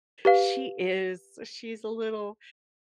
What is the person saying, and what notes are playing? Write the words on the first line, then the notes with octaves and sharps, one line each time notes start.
she is she's a little
G4 B4 F5